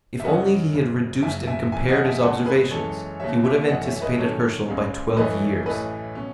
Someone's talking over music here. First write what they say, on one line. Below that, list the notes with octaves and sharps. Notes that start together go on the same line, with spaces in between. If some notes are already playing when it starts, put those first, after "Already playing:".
If only he had reduced and compared his observations, he would have anticipated Herschel by twelve years.
E5
F#2 C#3 F#3 C#4 D#5 F#5
G#1 F#2 C#3
F#1 F#2 C#3 E5 G#5
E5 G#5
F#2 C#3 E3 E5 G#5
D#5 F#5
E5 G#5
E2 C#3 G#3 F#5 A5
G#4 B4
F#2 E3 G#3 C#4 A4 C#5
D#2 C#3 F#3 C#4 C#5 E5
C#5 E5
F#2 E3 A3 D#5 F#5
C#5 E5
E5
B4 D#5
E2 D#3 F#3 A3 C#4 A4 C#5
C#2 C#3 G#3 C#4
F#2 E3 A3 C#4 B4 D#5
A1 A2 E3 A3 B4 D#5
B2 F#3 C#4